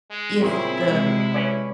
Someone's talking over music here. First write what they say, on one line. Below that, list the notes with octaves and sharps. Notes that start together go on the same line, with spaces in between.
If the
G#3
A#2 C#3 C4 C#4 E4 G#4
C3 G#3
C#4 B4 D5